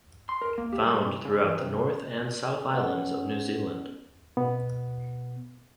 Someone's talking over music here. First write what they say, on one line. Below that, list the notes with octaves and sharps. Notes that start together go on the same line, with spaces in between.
Found throughout the North and South Islands of New Zealand.
C6
A#4
A#3
G4
G3
C2
C#3
E3
C3
B3 C#4
B2 B3